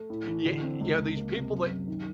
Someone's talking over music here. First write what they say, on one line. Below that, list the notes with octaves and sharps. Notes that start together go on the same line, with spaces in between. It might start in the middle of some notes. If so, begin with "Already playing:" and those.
Ye yeah, these people that
Already playing: A3
A2
E3
D3
C4
C#2
C#2
A#3
C3
F#2
F#2
D#3